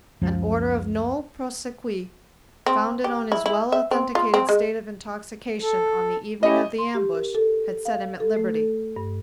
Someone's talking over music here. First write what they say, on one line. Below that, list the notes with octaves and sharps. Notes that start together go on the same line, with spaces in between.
An order of nolle prosequi, founded on his well authenticated state of intoxication on the evening of the ambush, had set him at liberty.
C#2 F#2 F3
C4
G4
E4
E4
E5
C4
F4
C4
G#3
A4
C#4 E4 G4 D#5
C6
G4
A#4
A4
F5
A4
A3
A4
G2